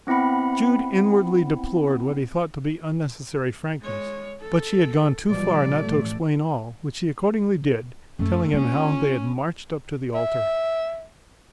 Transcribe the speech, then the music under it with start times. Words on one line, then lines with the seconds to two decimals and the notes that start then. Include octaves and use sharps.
Jude inwardly deplored what he thought to be unnecessary frankness; but she had gone too far not to explain all, which she accordingly did, telling him how they had marched up to the altar.
0.07 B3 C4 E4 F#5 B5
3.82 G#3 C#5
4.41 A4
5.30 B2 F3 G3 D5
5.80 A1 A3
8.19 F#2 A3
8.52 A#3 C#4 F4
10.14 E5